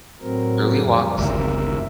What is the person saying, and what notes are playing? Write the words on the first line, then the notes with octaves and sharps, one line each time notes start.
Early walks.
A2 F#3 C4 A#4
F2 G3
G1 C#2 A#4 E5